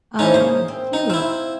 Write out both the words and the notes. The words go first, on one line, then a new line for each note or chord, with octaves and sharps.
Oh, cute.
E3 F3 C#4 D#4
C#3 A#3 C5
C4
D#4
C4 E4 F4